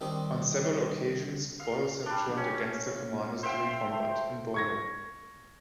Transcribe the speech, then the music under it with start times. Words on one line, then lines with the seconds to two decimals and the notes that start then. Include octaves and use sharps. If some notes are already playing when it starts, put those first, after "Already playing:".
On several occasions, Bolos have turned against their commanders during combat: in Bolo!
0.01 D#3 G3 C4 D4 D#4 D6
1.60 F5
2.06 G3 D4
2.37 C#4
3.43 C5 E5 F5 G5
3.92 A3
4.54 C#6 G#6 A#6